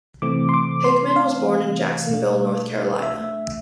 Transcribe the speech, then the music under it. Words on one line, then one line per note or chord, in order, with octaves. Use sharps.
Hickman was born in Jacksonville, North Carolina.
C3 E3 A3 C4 D6
C6
D6
C6
F5
B2 A3 D4
E5